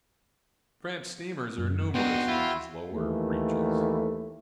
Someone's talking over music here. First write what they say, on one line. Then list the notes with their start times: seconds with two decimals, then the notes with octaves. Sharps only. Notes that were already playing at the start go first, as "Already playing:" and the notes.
Tramp steamers are numerous, on these lower reaches.
1.58 F#2
1.95 B3 D4 D#4 F#4 G5 C6
2.28 E4 F4
2.92 D#2 E3 A3